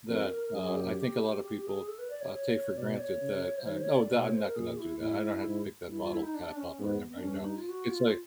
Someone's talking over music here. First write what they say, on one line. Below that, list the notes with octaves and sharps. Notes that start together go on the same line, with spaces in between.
that, uh, I think a lot of people, uh, take for granted that, "I'm oh, that, I'm not going to do that. I don't have to pick that bottle cap up, or never" you know, it's like,
F2 A#4
A#4
A#4
A#4
F#2 G#4
G4
G4
G4
G4
G#4
A4
B4
D5
C#5
C#5
B2 D5
C#5
C#3
C5
D#3 C#5
C5
C#5
D5
B2 D5
C#5
C5
A#4
A#2 G#4
E4
A2 E4
G#2
G2 E4
F4
E4
D#4
D4
C#4
G#2 B3
B3
D4
G2 C#4
D4
D#4
F4
F#4
F4